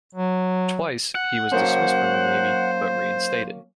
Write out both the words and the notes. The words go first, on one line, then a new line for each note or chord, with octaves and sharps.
Twice, he was dismissed from the Navy, but reinstated.
F#3
F#5
F#3 A#3 C#4 C5